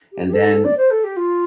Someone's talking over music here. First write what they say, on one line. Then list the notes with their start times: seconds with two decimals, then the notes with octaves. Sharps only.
and then
0.12 G4
0.27 G4
0.33 A4
0.65 D5
0.77 C5
0.91 A4
1.04 G4
1.17 F4